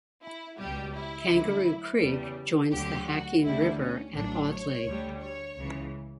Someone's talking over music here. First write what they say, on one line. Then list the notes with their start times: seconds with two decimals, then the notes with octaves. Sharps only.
Kangaroo Creek joins the Hacking River at Audley.
0.23 E4
0.58 C#2 B2 G3 G4
0.94 E4
1.29 D2 D3 F#3
2.01 E2 C#3 G3
2.72 D2 D3 F#3 G4
3.07 F#4
3.43 D2 D3 G3 E4
3.78 C#4
4.14 A1 A2 F#3 D4
4.49 C#5
4.85 D2 D3 G3
5.21 C#5
5.56 C#2 C#3 E3